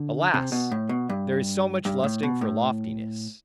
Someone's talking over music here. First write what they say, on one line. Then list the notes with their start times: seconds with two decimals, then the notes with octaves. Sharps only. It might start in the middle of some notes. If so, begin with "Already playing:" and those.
Alas! there is so much lusting for loftiness!
Already playing: D3
0.34 C3
0.52 B2
0.71 A2
0.89 B2
1.09 G2
1.85 G2
2.04 A2
2.23 B2
2.41 A2